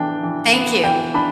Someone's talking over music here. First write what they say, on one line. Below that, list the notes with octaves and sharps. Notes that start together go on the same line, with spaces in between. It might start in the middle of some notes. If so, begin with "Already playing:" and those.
thank you.
Already playing: E3 B3 D4 G5
E3
B3
E3 G5
D4 B5